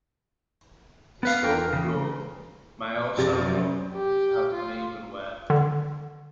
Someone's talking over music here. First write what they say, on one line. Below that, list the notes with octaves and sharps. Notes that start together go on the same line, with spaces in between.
The stall floor may also come to have uneven wear.
B3 B4 F5
E2 F4 A#4 G5
C#3 E3
A#1 F#2 C3 A6
G4
F4
D3